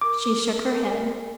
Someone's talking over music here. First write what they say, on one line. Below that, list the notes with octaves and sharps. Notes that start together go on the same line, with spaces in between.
She shook her head.
A#4 D6